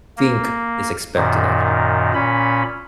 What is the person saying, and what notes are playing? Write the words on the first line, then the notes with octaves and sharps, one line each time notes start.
think is expected of you.
A#3
F#2 A#2 D#3
A#2 C#4 B5